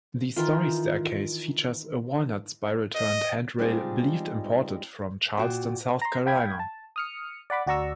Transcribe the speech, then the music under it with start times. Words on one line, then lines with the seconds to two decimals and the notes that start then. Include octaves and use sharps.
The -story staircase features a walnut, spiral-turned handrail believed imported from Charleston, South Carolina.
0.36 D#3 E3 F4
2.95 D#5
3.59 G3 G#3 C4 D#4 F4 G#4
5.37 A#2 F#4 G5
6.02 A#5 C6
6.26 F5 G5 B5 G#6
6.59 A5
6.96 D#6 F6 C#7
7.50 D5 F#5 B5 D6
7.67 D2 F#4 D5 A#5 C#6 E6